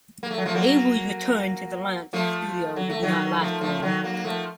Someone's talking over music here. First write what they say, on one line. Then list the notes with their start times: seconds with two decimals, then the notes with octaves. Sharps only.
Avery's return to the Lantz studio did not last long.
0.23 A#3
0.31 A3
0.38 F#3
0.46 F3 A3
0.55 F#3 A#3
2.13 F3 A3
2.76 F#3
2.90 A3
3.03 D#3 F#3
3.40 F3 A3
3.61 F3 A3
3.82 D#3 F#3
4.03 F#3 A#3
4.14 A#3
4.24 F3 A3